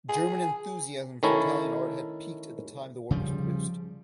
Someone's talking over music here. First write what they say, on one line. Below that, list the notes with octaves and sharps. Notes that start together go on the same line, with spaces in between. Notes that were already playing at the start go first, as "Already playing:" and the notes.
German enthusiasm for Italian art had peaked at the time the work was produced.
G#4
D#3 A3 C#4 E4 A4
C#3 F3 G3